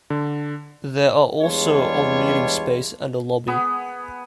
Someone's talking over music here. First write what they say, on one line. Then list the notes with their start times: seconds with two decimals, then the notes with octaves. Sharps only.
There are also of meeting space and a lobby.
0.10 D3
1.41 E2 G3 G#3 D4 F4 C#5
3.47 B3 G#4